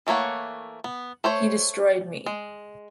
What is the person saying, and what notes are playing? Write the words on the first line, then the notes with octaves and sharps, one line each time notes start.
He destroyed me.
E3 A3 A#3 C#5 F#5
B3
A3 C5 C#5
G#3